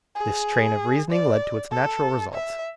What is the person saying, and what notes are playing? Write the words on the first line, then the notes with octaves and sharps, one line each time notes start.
This train of reasoning led to its natural results.
G#4
D5
A4
E5